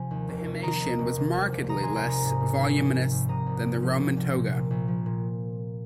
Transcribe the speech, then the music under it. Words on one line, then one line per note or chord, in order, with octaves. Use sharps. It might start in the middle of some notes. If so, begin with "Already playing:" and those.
The himation was markedly less voluminous than the Roman toga.
Already playing: C3 F3 G#5
D#2
F1
F1
D#3 A#5 D#6
D#2
F1
C3
C2
C2
D#3 A#5 D#6
C3 G#5 C6
G#5 C6
C2 A#5 D#6
G#2
G#1
G#1
F3
G#2
G#1
C3 A#5 D#6
C2
C2
F3
C3
C2
A#2
A#1
A#1
F3
A#2